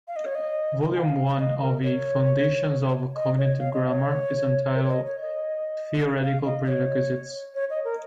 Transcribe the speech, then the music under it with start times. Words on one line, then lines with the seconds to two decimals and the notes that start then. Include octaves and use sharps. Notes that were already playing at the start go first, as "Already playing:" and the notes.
Volume one of the "Foundations of Cognitive Grammar" is entitled "Theoretical Prerequisites".
0.08 F5
0.16 D#5
0.26 C#5
0.35 D#5
0.95 G#5
1.00 F5
1.39 D#5
1.62 A#4
1.83 C#5
3.15 D#5
3.38 C#5
3.59 F5
3.73 D#5
3.89 C#5
4.75 A#4
4.83 C#5
4.91 D#5
5.06 C#5
5.21 D#5
6.23 F5
6.46 D#5
6.67 C#5
7.55 C#5
7.70 D#5
7.84 A#4